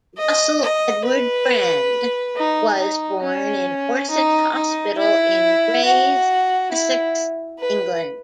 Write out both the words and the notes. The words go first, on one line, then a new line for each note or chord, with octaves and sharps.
Russell Edward Brand was born in Orsett Hospital in Grays, Essex, England.
D#5
D#5
B4
D#4
D#4
C#4
D#4
D#4
E4
F#4
E4
B4